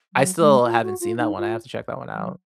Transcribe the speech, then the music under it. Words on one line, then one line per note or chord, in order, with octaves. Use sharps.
I still haven't seen that one, I have to check that one out.
F#3
G#3
F4
F#4
F4
D#4
F4
F#3